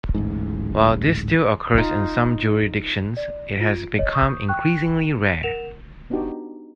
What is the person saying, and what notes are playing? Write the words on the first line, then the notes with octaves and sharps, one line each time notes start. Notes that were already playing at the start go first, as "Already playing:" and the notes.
While this still occurs in some jurisdictions, it has become increasingly rare.
D1 A1 G#2
D#4 F4
D5
F4 D7
C#5 D#5
C#6 D#6 G6
G5 C#6 F#6
A#4 F#5 E7 F7
B3 D4 D#4 F#4 G4